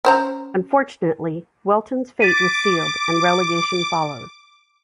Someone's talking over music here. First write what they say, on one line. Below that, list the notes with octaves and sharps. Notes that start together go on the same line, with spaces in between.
Unfortunately Welton's fate was sealed and relegation followed.
C#4 C5 A#5
D6 A6 B6 D#7